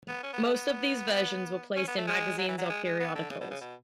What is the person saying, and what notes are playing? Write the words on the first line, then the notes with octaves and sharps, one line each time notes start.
Most of these versions were placed in magazines or periodicals.
B3
C#4
B3
A3
B3
C#4
B3
A3
G#3
F#3
E3
F#3
G#3
G#3
B3
D3
C#3
B2
C#3
B2